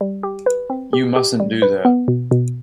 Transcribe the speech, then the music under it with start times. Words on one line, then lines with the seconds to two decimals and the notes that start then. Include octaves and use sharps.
You mustn’t do that.
0.01 G3
0.23 G4
0.46 B4
0.70 C4
0.93 G4
1.16 G4
1.40 G3
1.62 B4
1.85 B3
2.08 B2
2.31 B2